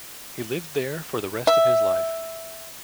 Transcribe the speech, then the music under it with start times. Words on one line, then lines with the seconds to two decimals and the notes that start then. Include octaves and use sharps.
He lived there for the rest of his life.
1.47 E5